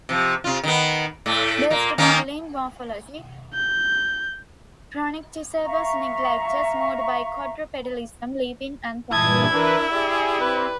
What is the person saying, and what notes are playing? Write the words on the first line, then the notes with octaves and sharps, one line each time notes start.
Based upon limb morphology, "Pronycticebus neglectus" moved by quadrupedalism, leaping, and climbing.
C3 F3
C3 F4
D#3 B3
A2 A3
A#2 A#3
D#3 A#3 C#4
G6
E5 F5 A#5 C#6
G2 A#2 E3 E4 A5 D#6 G#6
E3 D4 A#4 B4 E5
G4 G#4 D5
C4 B4